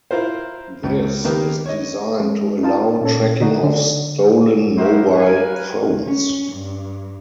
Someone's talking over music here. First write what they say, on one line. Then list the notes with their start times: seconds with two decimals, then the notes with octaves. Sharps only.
This is designed to allow tracking of stolen mobile phones.
0.11 E4 F4 A#4 C5
0.83 C#2
1.24 D#3 A#3 B3 G4
1.66 C#5 D#5
2.20 G#3
2.63 D#4 F4 A5
3.01 A#2 C#4 A4
3.41 D3 D#4 F#4
3.63 D3
4.77 D#4 E4 F#4 G4 A#4 C5
5.13 A#4 B4 F5 G#5
6.03 C#4
6.52 G2